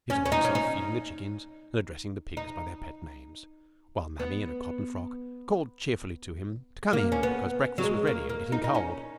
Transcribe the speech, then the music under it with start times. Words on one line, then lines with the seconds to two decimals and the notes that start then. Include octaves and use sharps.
He saw himself feeding the chickens and addressing the pigs by their pet names, while Mamie, in a cotton frock, called cheerfully to him to come in because breakfast was ready and getting cold.
0.10 C#4
0.26 C#4
0.32 D#4
0.45 C#4
0.55 D#4
2.37 D#4
4.20 B3
6.93 A#3
7.12 C#4
7.23 B3
7.78 F#3
7.84 G#3
8.07 A#3
8.29 A#3
8.52 D#4
8.64 D#4
8.75 C#4